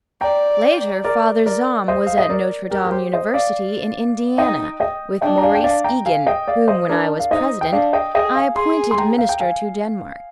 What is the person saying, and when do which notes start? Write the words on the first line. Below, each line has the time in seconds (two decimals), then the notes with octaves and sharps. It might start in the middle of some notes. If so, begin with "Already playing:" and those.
Later Father Zahm was at Notre Dame University, in Indiana, with Maurice Egan, whom, when I was President, I appointed minister to Denmark.
0.21 D5 G5 A#5
1.04 A#4 D5
1.46 A#4 D5
1.88 C5 D#5
2.07 F5
2.18 D#5
2.29 A#4 D5
2.71 G4 A#4
2.85 A#4
2.92 C5
3.13 C5 D#5
3.34 D5 F5
4.38 D#4 D#5 G5
4.80 D#5 G5
5.22 D4 D#5 G5
5.38 A#5
5.43 F5 G#5
5.55 G5
5.64 D5 F5
5.84 G5 A#5
6.06 F5 G#5
6.27 D#5 G5
6.48 D5 F5
6.68 C5 D#5
6.89 D4 A#4 D5
7.19 F5
7.31 D#4 C5 D#5
7.61 G5
7.72 D4 D5 F5
7.93 D#5 G5
8.14 G#4 D#5 G5
8.35 F5 G#5
8.56 G#4 G#5 C6
8.91 C6
8.98 G5 A#5
9.18 F5
9.29 G5
9.40 F5 G#5